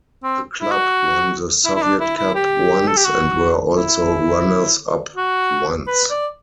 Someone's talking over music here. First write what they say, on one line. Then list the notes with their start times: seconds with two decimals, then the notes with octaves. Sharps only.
The club won the Soviet Cup once, and were also runners-up once.
0.24 C4
0.62 E4
0.71 F#4
1.65 E4
1.76 E4
1.83 D4
2.00 E4
2.18 E4
2.35 G4
2.87 A4
2.97 G4
3.05 F#4
3.76 E4
5.16 F#4
5.87 B4
6.10 D5